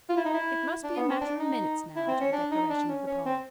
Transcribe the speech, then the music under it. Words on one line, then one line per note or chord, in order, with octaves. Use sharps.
It must be a matter of minutes now to the declaration of the poll.
F4
E4
D#4
E4
D4
B3
C4
D4
D#4
E4
C4
C#4
D4
D#4
D4
C#4
C#4
C4